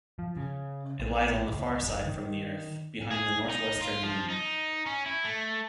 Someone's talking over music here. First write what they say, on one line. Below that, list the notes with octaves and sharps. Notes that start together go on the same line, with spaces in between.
It lies on the far side from the Earth, behind the northwestern limb.
F3
C#3
A#1
C#2
F#1
D#3
G#4
D#4
F4
F3
D#4
C#4
E4
A3